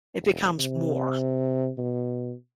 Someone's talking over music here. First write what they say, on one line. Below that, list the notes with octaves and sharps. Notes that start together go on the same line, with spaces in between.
it becomes more.
E1
C3
B2